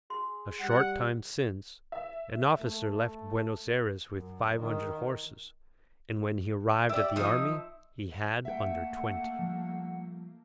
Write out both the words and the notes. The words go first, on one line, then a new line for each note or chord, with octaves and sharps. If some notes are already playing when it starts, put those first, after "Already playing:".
A short time since, an officer left Buenos Ayres with five hundred horses, and when he arrived at the army he had under twenty.
G#4 C6
G3 F#5
E5
A3
F#2
D#3
G4 D5 E5
F3 D#4
A3 A#3 E5 F#5 G5
F3 G3